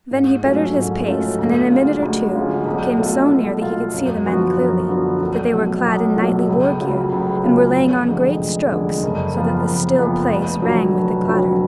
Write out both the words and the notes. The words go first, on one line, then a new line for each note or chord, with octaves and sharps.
Then he bettered his pace, and in a minute or two came so near that he could see the men clearly, that they were clad in knightly war-gear, and were laying on great strokes so that the still place rang with the clatter.
G#2
F#3 A3 C#4 F4
G#2
F#3 A3 C#4 F4
D2
D3 G#3 C#4 F4
D2
D3 G#3 C#4 F4
B1
B2 A3 F4
B1
B2 A3 F4
F#2
D3 F3 B3 F#4
F#2
D3 F3 B3 F#4
B1
B2 F#3 A3
B1
B2 F#3 A3
C#2
C#3 F#3 A3 F4
C#2
C#3 F#3 A3 F4
F1
F2 D3 G#3
F1
F2 D3 G#3
F#1
F2 F3 B3 F4
F#1
F2 F3 B3 F4
F1
F2 D3 F#3
F1
F2 D3 F#3